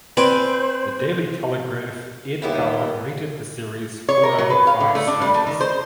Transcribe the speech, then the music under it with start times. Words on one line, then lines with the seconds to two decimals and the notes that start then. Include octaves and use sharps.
The Daily Telegraph Ed Power rated the series four out of five stars.
0.17 C4 B4 C5 D5 G#5
2.42 D#2 G3 B3 E4
4.09 C#5
4.23 A#4
4.38 F#3
4.50 B4
4.67 F5
4.80 D3
4.95 A3
5.07 D4
5.22 G3
5.34 A3
5.47 D#3
5.61 C5